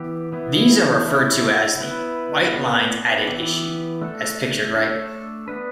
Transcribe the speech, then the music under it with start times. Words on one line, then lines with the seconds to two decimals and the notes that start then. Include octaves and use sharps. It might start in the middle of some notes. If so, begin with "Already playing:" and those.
These are referred to as the "white lines added issue", as pictured right.
Already playing: E3 B3 G4
0.32 E3 B3 E4
1.07 A3 E4 A4
1.81 B3 E4 B4
2.54 B3 D4 B4
3.28 E3 B3 G4
4.02 A3 D4 A4
4.74 A3 D4 A4
5.48 B3 D4 B4